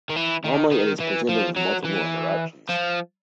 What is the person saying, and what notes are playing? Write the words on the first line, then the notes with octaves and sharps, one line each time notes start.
Normally it is presented with multiple interruptions.
D#3
E3
D#3
D#3
E3
F3
F#3
E3
F3